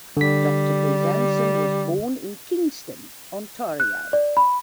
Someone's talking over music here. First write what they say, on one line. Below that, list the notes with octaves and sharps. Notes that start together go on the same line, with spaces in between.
Doctor Bezanson was born in Kingston, Ontario.
D3 G3 B6
F#6
D5
B5